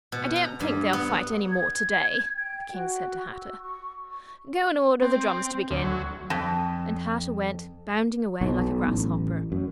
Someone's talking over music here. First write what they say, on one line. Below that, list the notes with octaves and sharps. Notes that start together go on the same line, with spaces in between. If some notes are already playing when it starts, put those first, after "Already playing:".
'I don't think they'll fight any more to-day,' the King said to Hatta: 'go and order the drums to begin.' And Hatta went bounding away like a grasshopper.
B2
A#5
G2
B3
G#6
G5
F#4
E6
C#6
C4
D2
F#3
F2
B1
A1
F#2